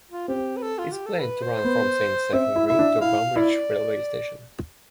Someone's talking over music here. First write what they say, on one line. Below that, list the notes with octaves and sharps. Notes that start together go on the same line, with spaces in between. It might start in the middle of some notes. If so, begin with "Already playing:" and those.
It is planned to run from Saint Stephen's Green to Broombridge railway station.
F4
C4 G4
B4
A4
F4
G4
A4
B4
C5
B3
C4 E5
E4
E4 E5
D4
E4 F5
E4 D5